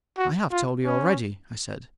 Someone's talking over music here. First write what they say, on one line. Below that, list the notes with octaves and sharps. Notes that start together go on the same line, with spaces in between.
"I have told you already," I said.
F#4
F4
C#4